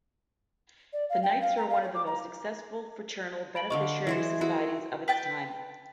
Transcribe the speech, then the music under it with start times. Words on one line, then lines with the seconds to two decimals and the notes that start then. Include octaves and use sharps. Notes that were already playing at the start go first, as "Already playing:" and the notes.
The Knights were one of the most successful fraternal beneficiary societies of its time.
0.93 D5
1.09 F5
1.23 G5
1.41 F5
1.57 A#5
1.69 F5
1.83 C#5
1.94 D6
2.06 A#5
3.55 B5 D7 F#7
3.70 D3 D#5 F5 C#6 D6
4.07 E3 G#4 C5
4.41 E4 F#4 G#4
5.08 B4 G5 A5